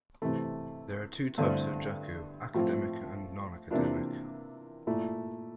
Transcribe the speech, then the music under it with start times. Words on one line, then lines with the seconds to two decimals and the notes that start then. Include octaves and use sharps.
There are two types of juku, academic and nonacademic.
0.22 C3 E3 A3
1.38 G2 D3 A3 C4 E4
2.54 A2 F3 C4 F4
3.71 C3 E3 A#3 D4 F4
4.87 A#2 A3 E4